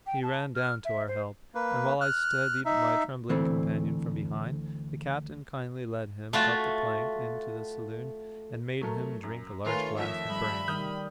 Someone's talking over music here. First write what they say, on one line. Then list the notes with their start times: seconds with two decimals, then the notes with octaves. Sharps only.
He ran down to our help, and while I steadied my trembling companion from behind, the captain kindly led him up the plank into the saloon, and made him drink a large glass of brandy.
0.06 G5
0.23 A5
0.56 F6
0.85 E5
1.08 C5
1.55 A#3 B4
2.01 F6 F#6
2.65 D#4 E5
3.30 D2 E3 A3 C4
6.33 A3 F4 F#4 A5
8.81 F#3 A3 A#4
9.23 F#2
9.66 D#3 A3 F4 A#4 B4 C#5 G#5
9.99 F2 F3 E5
10.30 G3 B5
10.68 D#3 G3 D#6 F6 G6